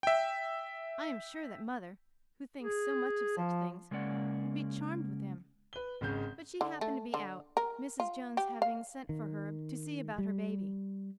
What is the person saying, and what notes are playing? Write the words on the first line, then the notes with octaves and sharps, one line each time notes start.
I am sure that mother, who thinks so much of such things, would be charmed with him but she happened to be out, Mrs. Jones having sent for her to see about her baby.
E5 G5
G#4
F3
C#3 G#3 A#3 C#4 D5 F#5
B4 G7
G#1 C#3 G#3 G6
D3
A3
D3
A#4
F4
G4
F5
D#3
G3